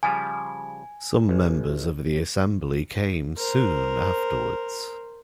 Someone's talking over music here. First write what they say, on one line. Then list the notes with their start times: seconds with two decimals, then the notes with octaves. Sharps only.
Some members of the Assembly came soon afterwards.
0.03 C#3 F3 G3 G#5
1.29 A1
3.38 A#4 C5